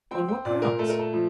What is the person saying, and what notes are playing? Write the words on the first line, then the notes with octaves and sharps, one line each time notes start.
"On what grounds?"
C4 G5
G5
A#2 D5
A#4
A3 A4
A#4
A4
F3